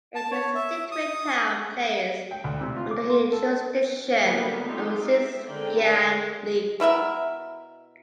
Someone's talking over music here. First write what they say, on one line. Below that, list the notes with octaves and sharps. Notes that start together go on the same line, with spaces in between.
It is a district town placed under he jurisdiction of the Xing’an league.
A5
C#5
E5
D#6
G5
D2
C3
F4
D6
C6
A4
D3 G3 A#3 B3 G4 B4
A3 C4 D#4 F4 G4 A4
E5
D3 G#3 A#4 D5 G5
B2 E4 A#4 E5